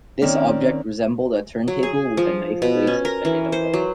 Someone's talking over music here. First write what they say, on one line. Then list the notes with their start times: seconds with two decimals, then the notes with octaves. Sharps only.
This object resembled a turntable with a knife blade suspended above it.
0.22 D#3 A#3 C4 C#4 D5
1.68 F#3
1.83 G#4
2.17 F3
2.62 B2
2.87 C#4
3.05 A#4
3.25 E3
3.52 C5
3.74 F#3